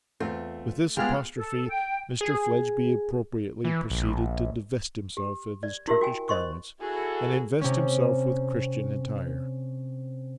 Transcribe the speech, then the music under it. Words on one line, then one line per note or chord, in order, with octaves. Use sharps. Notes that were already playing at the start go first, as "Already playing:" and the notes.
With this apostrophe Mr Fledgeby appropriately proceeded to divest himself of his Turkish garments, and invest himself with Christian attire.
E2 A3 C4 F4
G3 G#3 B3 D4 F4 G4 G#4 F6
A4
G5
G#4
E3
A#1
G4
D5
E4 F#4 G4 A#4 E5
F#4 G5 G#5
C5 D#5 C6 C#6
E4 F#4 G#4 A4
C3 C#4